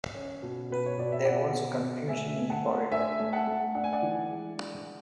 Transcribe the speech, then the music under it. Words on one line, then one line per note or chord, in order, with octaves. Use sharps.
There was confusion in the corridor.
C#4
B2
B2 B4
C#5
B2 D5
E5
B2 D5 F#5
B3
B2
A3 E5 G#5
A3
F#5 A5
A3
D4 E5 G#5
A3
F#5 A5
A3
D4 F#5
G#5
D5 F#5
E3
G#3
D4